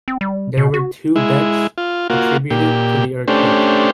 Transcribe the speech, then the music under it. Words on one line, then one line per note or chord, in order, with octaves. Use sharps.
There were two deaths attributed to the earthquake.
C4
G3
B2
F#4
G#3 E4
F4
A#3 F4 F#4
A#2 G4
A3 C#4 D4 G4 C5